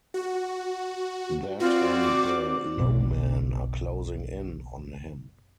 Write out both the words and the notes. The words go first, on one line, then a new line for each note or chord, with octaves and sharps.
That and the "low men" are closing in on him.
F#4
C4 F4 F#4 D5
D6
F#1 B1 B2